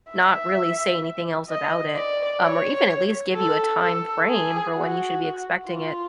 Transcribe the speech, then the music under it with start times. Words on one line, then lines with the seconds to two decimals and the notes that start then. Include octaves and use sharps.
not really say anything else about it, um, or even at least give you a time frame for when you should be expecting it.
0.10 E5
1.49 D#5
1.95 D5
2.42 C#5
3.35 A4
3.81 A4
4.28 G#4
4.74 F#4
5.67 F4